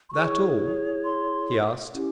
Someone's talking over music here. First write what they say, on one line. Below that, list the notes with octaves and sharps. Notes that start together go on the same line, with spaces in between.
"That all?" he asked.
C6
E4 G#4 C#5 C#6
C6
C#4 E4 G4